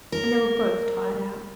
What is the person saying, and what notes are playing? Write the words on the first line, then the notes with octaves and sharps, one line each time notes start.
And they were both tired out.
A#4